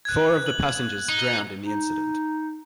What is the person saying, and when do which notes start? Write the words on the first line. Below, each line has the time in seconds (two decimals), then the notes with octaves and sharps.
Four of the passengers drowned in the incident.
0.05 F#6 G#6
0.46 F#7
1.09 D#4
1.62 D#4